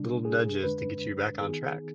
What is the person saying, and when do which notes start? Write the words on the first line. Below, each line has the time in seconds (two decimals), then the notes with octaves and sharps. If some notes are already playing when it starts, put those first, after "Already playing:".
little nudges to get you back on track.
Already playing: C3 G3 D4
0.25 G#4
0.63 F2 D3 G#3 D4 B4
1.41 D#3 B3 D#4 G#4